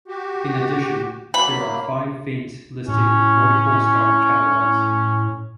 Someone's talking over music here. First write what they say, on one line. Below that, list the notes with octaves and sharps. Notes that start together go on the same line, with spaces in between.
In addition, there are five faint listed in multiple star catalogues.
F#4 G4
F#3 A#3 B5
A2 C#4